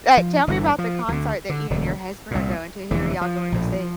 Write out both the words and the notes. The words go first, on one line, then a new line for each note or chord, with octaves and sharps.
uh, tell me about the concert that you and your husband are going to, who are y'all going to see?
F3
G1 G2 D3 E3
F3
D2 D3 E3
D3
E1 D2 D3
C2 A#2
F1 E2 D3 E3
F3
A#1 A2